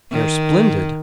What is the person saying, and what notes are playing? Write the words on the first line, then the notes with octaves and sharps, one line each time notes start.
They are splendid.
D#3